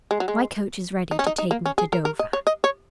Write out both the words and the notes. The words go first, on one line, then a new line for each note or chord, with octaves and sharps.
My coach is ready to take me to Dover.
G#3
F#3
G#3
D#4
C#4
D#4
D#4
A#3
C#4
G#4
A#4
A#4
D#5
C#5
D#5
C#5